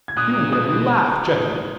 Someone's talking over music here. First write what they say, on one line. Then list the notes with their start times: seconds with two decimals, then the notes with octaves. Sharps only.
You will laugh, gentlemen.
0.08 G#6
0.17 A#2 D#6 F#6
0.52 B2 D#6 F#6
0.60 A#2
0.67 B2